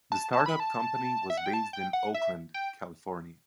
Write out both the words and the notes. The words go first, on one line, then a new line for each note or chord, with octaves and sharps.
The start-up company was based in Oakland, California.
A5
A5
B5
A5
E5
F#5
G5
A5
G5
F#5
E5
G5